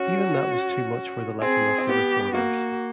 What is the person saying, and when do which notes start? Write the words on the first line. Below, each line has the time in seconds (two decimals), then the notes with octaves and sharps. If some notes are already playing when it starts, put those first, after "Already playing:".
Even that was too much for the liking of the Reformers.
Already playing: C#4 F#4
1.42 C4 G#4
1.78 C4
1.89 B3 G4
2.34 A#3 F#4